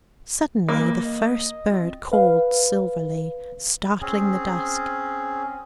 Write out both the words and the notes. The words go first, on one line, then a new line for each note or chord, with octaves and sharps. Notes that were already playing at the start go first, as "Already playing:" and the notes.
Suddenly the first bird called silverly, startling the dusk.
E3 A#3
D#5
C4 F4
B4 F5
C4 C#4 G#4